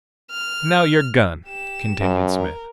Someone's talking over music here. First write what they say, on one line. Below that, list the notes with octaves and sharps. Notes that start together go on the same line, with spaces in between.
"Now your gun!" continued Smith.
F6
G4 E7
F#2
A#4